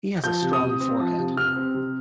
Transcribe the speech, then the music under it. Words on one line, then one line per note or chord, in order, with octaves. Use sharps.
He has a strong forehead.
F3 G6
C3
D#6
C3
C4
F3
C3
C3 F6
C4
C3